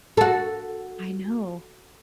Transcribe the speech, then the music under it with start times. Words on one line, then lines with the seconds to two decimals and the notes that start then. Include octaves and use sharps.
I know.
0.17 F#4 A4